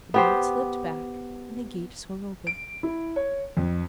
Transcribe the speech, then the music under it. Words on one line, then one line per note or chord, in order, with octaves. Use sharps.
The bolt slipped back and the gate swung open.
B3 G4 C5
D7
E4
C#5
F2